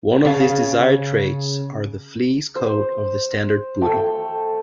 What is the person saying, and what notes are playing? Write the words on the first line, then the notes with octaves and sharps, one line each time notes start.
One of these desired traits are the fleece coat of the Standard Poodle.
C#3 F5 A5
C5
A3 G5